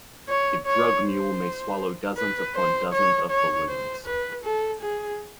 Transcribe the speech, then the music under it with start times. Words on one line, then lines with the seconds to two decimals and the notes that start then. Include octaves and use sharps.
A drug mule may swallow dozens upon dozens of balloons.
0.29 C#5
0.66 C#5
1.04 C5
2.17 B4
2.55 C5
2.93 C#5
3.30 C#5
3.68 C5
4.06 B4
4.44 A4
4.81 G#4